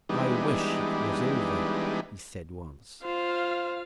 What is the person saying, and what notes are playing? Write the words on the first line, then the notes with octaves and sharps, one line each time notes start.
"I wish it was over," he said once.
E3 G3 G#3 B3 D4 D#4
F4 C5 F5